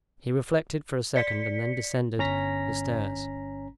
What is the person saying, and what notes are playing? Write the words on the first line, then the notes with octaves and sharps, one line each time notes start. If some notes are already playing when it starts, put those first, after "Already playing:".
He reflected for a second and then descended the stairs.
D5 B6 C#7
G1 C#4 A#5 A#6 B6